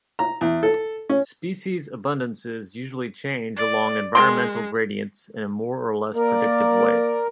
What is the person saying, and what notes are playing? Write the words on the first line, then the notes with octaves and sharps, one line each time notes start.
Species abundances usually change along environmental gradients in a more or less predictive way.
A#5
E2
A4
C#4
D5
G#3 A#4 G5 C6
A#3 A#4 D5